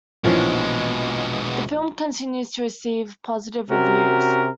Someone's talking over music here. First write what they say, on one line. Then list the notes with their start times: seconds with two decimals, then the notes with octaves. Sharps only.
The film continues to receive positive reviews.
0.24 A#1 B2 E3 F3 G#3 C#4
3.70 C3 C#4 F#4 A#4